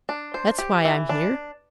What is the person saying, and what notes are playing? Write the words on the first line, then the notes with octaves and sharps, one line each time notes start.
That's why I'm here.
D4
C5
G4
E3
D4